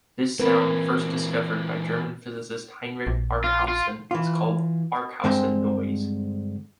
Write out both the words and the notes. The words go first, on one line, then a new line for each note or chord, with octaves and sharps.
This sound, first discovered by German physicist Heinrich Barkhausen, is called Barkhausen noise.
A#2 E3 C4 A#4 B4
A#1
F4
F4
E3 F4
G2 D3 G#3 C4 C5 G5